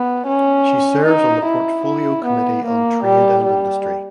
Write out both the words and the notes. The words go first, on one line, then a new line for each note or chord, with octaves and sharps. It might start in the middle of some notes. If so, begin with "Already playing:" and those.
She serves on the Portfolio Committee on Trade and Industry.
Already playing: B3
C#4
D#4
E4
E4
B3
A#3
G3
G3